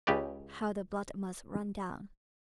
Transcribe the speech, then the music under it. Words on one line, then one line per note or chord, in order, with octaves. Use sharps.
How the blood must run down.
C#2 C#3 G4 B4 D5